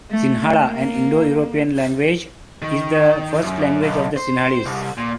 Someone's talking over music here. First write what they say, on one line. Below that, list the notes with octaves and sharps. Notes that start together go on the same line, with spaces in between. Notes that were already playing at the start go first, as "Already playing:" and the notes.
Sinhala, an Indo-European language, is the first language of the Sinhalese.
A3
A#3
D#3
F#2
B1
C5
C2
A#2